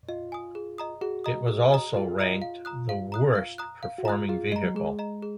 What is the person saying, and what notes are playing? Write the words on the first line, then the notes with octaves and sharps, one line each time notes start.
It was also ranked the "Worst Performing Vehicle".
F4 D#5
G#5 D#6
G#4
D#5 A#5 D#6
F#4 G#4
D#5 A#5 D#6
G#4
D#5 A#5 D#6
F4 G#4
D#5 A#5 D#6
F5
A#5 D#6 F#6
F5
A#5 D#6 F#6
F5
A#5 D#6 F#6
F5
F#4
F4 A#5 D#6 F#6
F4 G#4
G#3 D#5 A#5
F#3
G#3 G#4
D#5 A#5
G#4